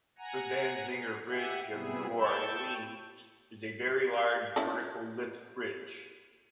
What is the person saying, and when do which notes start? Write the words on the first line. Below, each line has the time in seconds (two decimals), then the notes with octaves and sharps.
The Danziger Bridge of New Orleans is a very large vertical lift bridge.
0.18 F#5 G#5 A#5
1.30 G4 E5 F#5 G#5
1.70 C3 G3 B3 E4 G#4
2.19 G5 A5 C#6 E6 G6
4.56 C#4 E4 A4